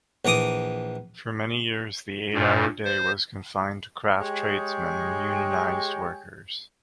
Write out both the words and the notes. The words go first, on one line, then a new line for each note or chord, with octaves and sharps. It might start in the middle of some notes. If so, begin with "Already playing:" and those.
For many years the eight-hour day was confined to craft tradesmen and unionised workers.
A#1 E3 A#5 D6 D#6
G2 A#2
C5
G#3 G4 G#4 C#5 G5